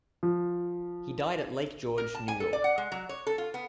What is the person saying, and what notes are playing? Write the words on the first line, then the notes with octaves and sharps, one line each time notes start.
He died at Lake George, New York.
F3
A#4
A5
G#5
A4
D5
F#5
G#3
F#3
C#5
A4
F4
B3